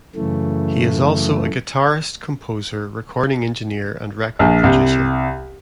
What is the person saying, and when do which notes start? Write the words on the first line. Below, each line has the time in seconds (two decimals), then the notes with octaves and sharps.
He is also a guitarist, composer, recording engineer and record producer.
0.15 F#2 C#3 E3 A3
4.39 A#1
4.63 C2